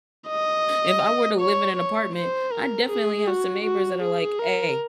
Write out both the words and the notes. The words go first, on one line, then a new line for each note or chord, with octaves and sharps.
if I were to live in an apartment, I'd definitely have some neighbors that are like, "Ay.
D#5
C#5
C#5
C5
A#4
G#4
F#4
F#4
G#4
A#4